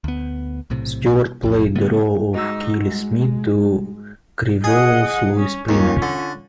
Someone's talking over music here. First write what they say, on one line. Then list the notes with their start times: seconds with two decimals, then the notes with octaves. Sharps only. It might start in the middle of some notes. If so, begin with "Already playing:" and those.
Stewart played the role of Keely Smith to Crivello's Louis Prima.
0.04 D2 B3
0.70 B1 A2 C3
1.43 B1 F2
1.75 C#3 A3 B3
2.34 G#2 D#4 F#4 E6
2.76 G#3
4.64 G#4 D#5 F#5
5.36 C#4
5.69 D#2 C#4 F4
6.02 D3